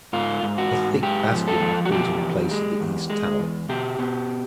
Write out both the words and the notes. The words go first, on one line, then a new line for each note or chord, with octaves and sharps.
A -thick bastion was built in place of the east tower.
G#2 F4
G#2
F#4
G#2
G#2 G4
F3
A4
F3
F#4
B2 G4
E2
G#3
E2
G#3
E2
B2 G4
B2